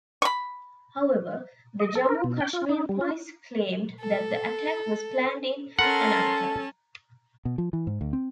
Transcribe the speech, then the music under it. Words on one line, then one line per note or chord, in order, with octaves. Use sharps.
However, the Jammu Kashmir police claimed that the attack was planned in Anantnag.
B5 C#6
D#5
A4
A#4
B2
G5
F4
D#4
G3
F4
A4
C#4 A4 A#4 F#5 A5 B5 C6
B2
F3
E3
G#2
D2
C4